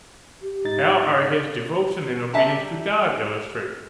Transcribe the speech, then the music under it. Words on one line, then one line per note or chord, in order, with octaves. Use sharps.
How are his devotion and obedience to God illustrated?
G4
G#2 D#4 A6
G3 D5 E5 A5 A#5